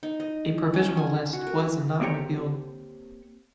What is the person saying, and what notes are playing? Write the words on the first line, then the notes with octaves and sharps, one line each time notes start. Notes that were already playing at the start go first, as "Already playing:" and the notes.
A provisional list was not revealed.
D#4
D#5
C#4
G#5
F#4
A#4
A#3 C4 G4 C#5 A#5